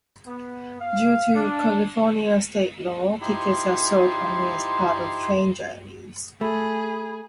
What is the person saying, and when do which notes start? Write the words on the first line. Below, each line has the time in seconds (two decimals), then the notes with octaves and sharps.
Due to California state law, tickets are sold only as part of train journeys.
0.25 B3
0.80 F5
1.34 D4
3.21 F3 D#4 E4 G4 C6
6.41 A3 G#4 B5